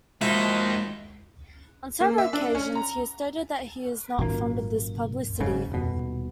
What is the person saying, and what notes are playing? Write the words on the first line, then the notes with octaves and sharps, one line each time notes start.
On several occasions he has stated that he is not fond of this publicity.
D#2 F3 G#3 D#4 E4 F#4
A#3
E5
D4
C#4
A#5
G#1 F#2 A#2 D#3 A#3
F#1 G#2 C#3
D#1 B2